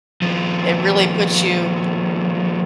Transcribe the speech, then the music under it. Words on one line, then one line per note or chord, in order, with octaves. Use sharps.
It really puts you,
D#2 F3